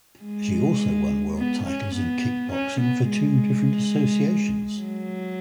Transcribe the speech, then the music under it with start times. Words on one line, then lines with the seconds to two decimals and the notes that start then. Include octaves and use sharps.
She also won world titles in kick boxing for two different associations.
0.24 G#3
1.38 B3
1.67 C#4
1.95 B3
2.52 C#4
2.81 B3
3.09 G#3
4.80 F#3